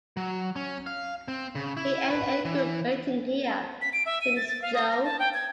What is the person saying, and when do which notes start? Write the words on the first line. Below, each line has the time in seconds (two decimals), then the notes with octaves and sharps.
"It ain't any good waiting here," thinks Jo.
0.17 F#3
0.56 C#4
0.86 F5
1.28 C4
1.55 C#3
1.77 E4
2.10 B4
2.45 E3
3.82 B6
3.93 D7
4.06 E5
4.21 D#7
4.36 A6
4.48 A6
4.62 F5
4.74 D#6
4.89 A#6
5.04 A5
5.19 G5
5.34 G#6